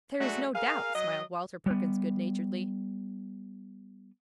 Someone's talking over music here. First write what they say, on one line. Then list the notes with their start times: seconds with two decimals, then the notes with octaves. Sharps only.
"There is no doubt," smiled Walter Perkins good-naturedly.
0.20 F#3 G#3 A3 D4 F#4
0.55 G#4 A#4 F5
0.95 F#3 D#5
1.66 G3 B3